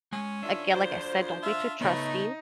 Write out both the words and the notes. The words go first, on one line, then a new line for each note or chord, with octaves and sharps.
again, like I said, don't be too trusting,
G#3 C#4 G#5
D#3 D4 F4 E5
D2 F3 C5
F4 E5
C#3 A3 B3 D#4 B4 C#5